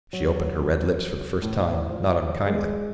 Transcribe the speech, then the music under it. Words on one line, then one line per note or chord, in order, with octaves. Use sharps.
She opened her red lips for the first time, not unkindly.
F#3
A2
F3
G#3